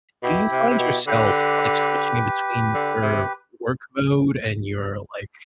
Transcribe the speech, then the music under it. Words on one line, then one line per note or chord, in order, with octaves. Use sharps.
Do you find yourself, like, switching in between your work mode and your, like,
B2 E4 G4
C3
C3
B2
D3 G4 B4
D3
C3